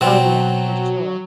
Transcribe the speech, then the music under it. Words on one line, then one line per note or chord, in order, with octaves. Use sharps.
Oh yeah, for sure.
B2 F#3 C4